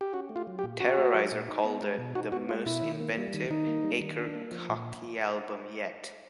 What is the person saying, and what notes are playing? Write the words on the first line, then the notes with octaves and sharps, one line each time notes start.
"Terrorizer" called it "the most inventive Akercocke album yet".
G4
C#4 F#4
A3
F4
F#3
G4
A#2
C#4 F#4
A3
F#3
A#2
D#4
B3
G#3
B2
D#4 F#4
B3 F#4
G#3 F4
B2 E4
D#3
A#3
G3
D#3
D#3 D#4
A#3
G3
D#3
D4
A#3
F3
A#2